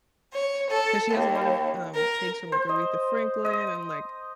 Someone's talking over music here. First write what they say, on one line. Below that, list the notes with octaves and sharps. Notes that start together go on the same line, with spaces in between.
'cause she has a lot of, um, takes from, like, Aretha Franklin, and, like,
C#5
A4
D#2
A#4
C5
D#5
D#5